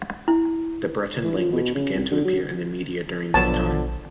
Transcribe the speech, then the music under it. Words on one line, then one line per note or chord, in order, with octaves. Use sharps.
The Breton language began to appear in the media during this time.
E4
E3
F3
B2
C#3
C2
D3
F#3
A#1 B2 D3 F3 F#3 B3 C#5 A5